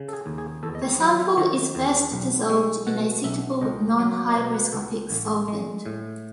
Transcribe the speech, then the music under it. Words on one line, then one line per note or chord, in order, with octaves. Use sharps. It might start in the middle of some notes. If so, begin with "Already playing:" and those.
The sample is first dissolved in a suitable, non hygroscopic solvent.
Already playing: C#3
A4
G#4
D#2
G#4
E2 A4
D#5
C#5
F#3 F#5
E5
D#3 D#5
E2
B1
G#3
B2 F#5
B1 E5
C#2 D#5
F#3
D#5
B2 C#5
B4
C#2 A4
A1
G#3
A2